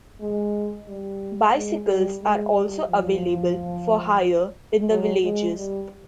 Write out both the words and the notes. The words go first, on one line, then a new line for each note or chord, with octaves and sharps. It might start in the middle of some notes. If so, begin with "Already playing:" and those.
Bicycles are also available for hire in the villages.
G#3
G3
G#3
G3
G#3
G3
F3
F#3
G#3
G3